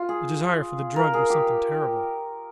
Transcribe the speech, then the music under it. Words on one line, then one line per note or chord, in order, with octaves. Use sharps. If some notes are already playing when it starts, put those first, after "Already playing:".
The desire for the drug was something terrible.
Already playing: F4
G#4
A#4
G#4
G4